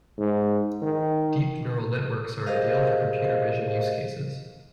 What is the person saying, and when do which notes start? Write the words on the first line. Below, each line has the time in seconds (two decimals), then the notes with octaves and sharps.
Deep Neural Networks are ideal for computer vision use cases.
0.18 G#2
0.82 D#3
2.46 G4 G#4 A#4 C5 D#5 F5